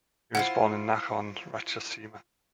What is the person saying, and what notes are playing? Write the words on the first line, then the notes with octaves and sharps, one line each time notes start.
He was born in Nakhon Ratchasima.
E4 F4 C5 F#5